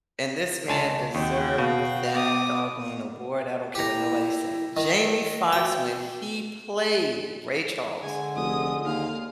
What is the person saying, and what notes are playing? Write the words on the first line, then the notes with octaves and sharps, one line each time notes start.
And this man deserves that doggone award, I don't care what nobody say. Jamie Foxx when he played Ray Charles,
C#2 G#5 A5
D#2 C4 F#4 G5
B2 F5
B3 D6 D#6
E4 G4 A#5
D#3
F#4 G5
D3 G#3 G#5
F1 D#6
D#2 F5